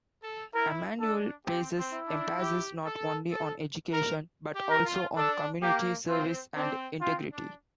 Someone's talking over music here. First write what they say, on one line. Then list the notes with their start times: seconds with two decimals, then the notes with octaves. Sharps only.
Emmanuel places emphasis not only on education, but also on community service and integrity.
0.23 A4
0.55 E4 A#4
1.00 D4 A4
1.47 C4 G4
1.78 C4
1.93 E4
2.08 D4
2.39 G4
2.85 A4
3.32 A4
3.93 A#4
4.55 G4
4.70 A#4
4.85 F4
5.17 D4 A4
5.62 A#3 G4
6.08 C4 F4
6.55 C4 D4
7.01 C4 F4
7.32 D4